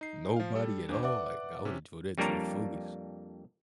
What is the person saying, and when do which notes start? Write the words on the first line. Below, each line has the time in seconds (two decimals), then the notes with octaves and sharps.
Nobody at all, like I would enjoy that to the fullest.
0.01 D#4 C7
0.36 F3 F5
0.55 G3 A4
0.89 D#2 D4 C5 D6
1.03 B4 D5 E5 F#5 D6
1.65 C3 C#4
2.18 F2 G3 A#3 D4 C#5 A#5